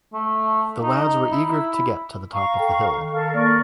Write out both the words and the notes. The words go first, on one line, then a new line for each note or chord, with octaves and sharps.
The lads were eager to get to the top of the hill.
A3
D#4
E4
E4
F5 A#5 C#6
A4 G5
D#3
A4 A#4 F5
A#3 A#4 D5 C#6